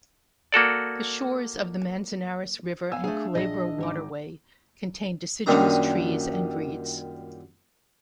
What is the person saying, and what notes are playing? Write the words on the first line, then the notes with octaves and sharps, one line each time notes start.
The shores of the Manzanares River and Culebro Waterway contain deciduous trees and reeds.
A#3 F#4 A4 D5
B3 F5 G#5 E6
A3 D4 G#4 F5
A#1 G#4 D#5 A#6
G#1 D#4 D6
F#2 A#2 D#3 G3 D4 A#5